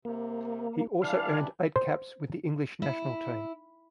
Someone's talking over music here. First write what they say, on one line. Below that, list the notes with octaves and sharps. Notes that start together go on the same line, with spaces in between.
He also earned eight caps with the English national team.
C3 A#3
E3 G3 D4 F5
C5
E4